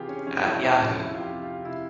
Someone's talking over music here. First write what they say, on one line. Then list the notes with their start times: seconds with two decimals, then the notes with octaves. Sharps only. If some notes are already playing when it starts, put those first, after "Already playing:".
At Yahoo!
Already playing: C3 E3 F4 G4 G#4
0.09 C#4
0.27 F2 C#4
0.44 E4
0.61 F2 E4
0.79 C#4
0.96 F2 E4
1.14 F4
1.19 G4
1.31 C3
1.43 F4
1.65 C3 E4